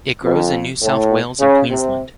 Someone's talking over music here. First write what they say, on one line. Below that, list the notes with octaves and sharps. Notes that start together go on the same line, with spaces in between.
It grows in New South Wales and Queensland.
F2
A2
C#3
C3